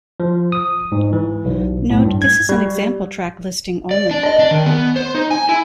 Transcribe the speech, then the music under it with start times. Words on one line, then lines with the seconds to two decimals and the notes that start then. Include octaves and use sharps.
Note, this is an example track listing only.
0.20 F3
0.52 D#6
0.92 G#2
1.13 E3
1.45 B1
1.90 A2
2.05 G2
2.22 G#6
2.49 G3
3.91 D5
4.11 D4
4.26 D#5
4.39 D4
4.51 D#3
4.66 B3
4.96 C5
5.15 D#4
5.31 G#5
5.49 E4